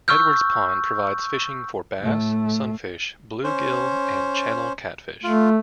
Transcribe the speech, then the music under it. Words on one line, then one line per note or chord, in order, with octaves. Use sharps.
Edwards Pond provides fishing for bass, sunfish, bluegill and channel catfish.
C#6 E6 F6 G6
A2 A3
C#4 C5
A3 F4